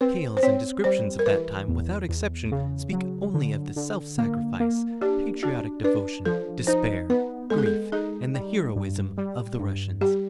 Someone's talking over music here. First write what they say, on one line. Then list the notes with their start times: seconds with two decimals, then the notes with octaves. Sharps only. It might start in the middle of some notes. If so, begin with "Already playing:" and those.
The tales and descriptions of that time without exception speak only of the self-sacrifice, patriotic devotion, despair, grief, and the heroism of the Russians.
0.01 C4 B4
0.37 C5
0.43 C4 C#5
0.84 G3 C5
1.19 A#4
1.26 E3 B4
1.68 E2
2.09 E2
2.52 C#3
2.92 F#3
3.34 D3
3.76 D3
4.18 A#3
4.60 A#3
5.01 D4 G4
5.43 D4 F#4
5.84 D4 B4
6.25 F3 A4
6.67 D#4 C5
7.10 B3 B4
7.50 G#3 A4
7.58 G#4
7.66 A4
7.92 D#4 G#4
8.34 G3
8.76 G2
9.18 G3
9.59 G2
10.01 G3 G4